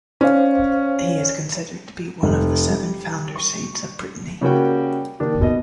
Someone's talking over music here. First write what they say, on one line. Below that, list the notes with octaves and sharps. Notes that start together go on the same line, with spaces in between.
He is considered to be one of the seven founder saints of Brittany.
C#4 C5 D5 F5
F1
G3
C#6
C#3 G3 A#3 C#4 F#4 G5
D#3 A#3 D4 G4
B2 D#5